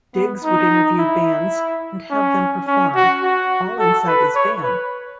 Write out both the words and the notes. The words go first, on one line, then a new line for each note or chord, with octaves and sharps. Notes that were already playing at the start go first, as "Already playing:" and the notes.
Digs would interview bands and have them perform - all inside his van.
B3
D#4
E4
C#4
C#4
F#4
F#4
A4
B4
C#5
B4